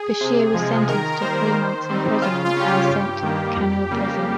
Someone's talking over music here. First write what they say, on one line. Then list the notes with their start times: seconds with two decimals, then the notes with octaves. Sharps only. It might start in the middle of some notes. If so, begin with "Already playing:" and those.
Basheer was sentenced to three months imprisonment and sent to Kannur prison.
Already playing: G#4
0.21 C3
0.54 F3 G#3
0.89 D#3 A#4
1.12 A#4
1.22 G3 A#3 C5
1.55 D#3
1.90 G3 C4 D#4
2.22 C#3 F4
2.45 F4
2.57 G3 C#4
2.68 G4
2.90 G2
3.23 D#3 G3 A#3
3.57 F2
3.91 C#3 G3 A#3